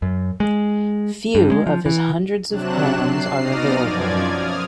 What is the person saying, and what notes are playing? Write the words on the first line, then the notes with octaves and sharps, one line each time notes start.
Few of his hundreds of poems are available.
F#2
G#3
G2
G#3
F3
E3
C3 F#3 D4 F#6 E7
C7
B2 D#4 D5 F6 A#6 D#7
F#2 F3 D5 G#6
D#6 F6